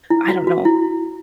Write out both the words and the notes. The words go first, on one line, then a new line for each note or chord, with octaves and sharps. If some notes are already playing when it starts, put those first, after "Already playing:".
I don't know
E4
F#4
F#4
E4